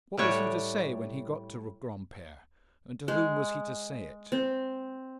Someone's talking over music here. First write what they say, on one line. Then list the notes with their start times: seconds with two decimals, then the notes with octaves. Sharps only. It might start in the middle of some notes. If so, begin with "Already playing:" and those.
What was he to say when he got to Granpere, and to whom was he to say it?
0.17 A2 G3 C#5 F#5
3.08 G#3
4.32 C4